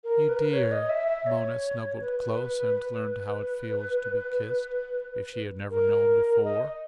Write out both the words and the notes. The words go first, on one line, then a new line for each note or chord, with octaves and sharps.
"You dear!" Mona snuggled close and learned how it feels to be kissed, if she had never known before.
A#4
B4
A#4
B4
C#5
D#5
E5
E5
C#5
B4
B4
B4
B4
B4
A#4
D#5
D#5